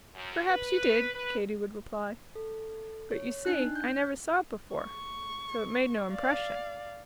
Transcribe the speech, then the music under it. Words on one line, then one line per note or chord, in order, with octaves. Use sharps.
"Perhaps you did," Katy would reply, "but you see I never saw it before, so it made no impression."
F#2
B4
B4
A4
C#5
D4 D#4 F#6
G6
C#6
D5 F5